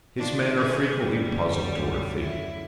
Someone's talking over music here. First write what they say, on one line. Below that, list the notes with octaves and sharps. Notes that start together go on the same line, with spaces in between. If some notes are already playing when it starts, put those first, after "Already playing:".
His manner frequently puzzled Dorothy.
D#3 D4 F4
A3 C#4 G#4
F#2 D3 G3
E4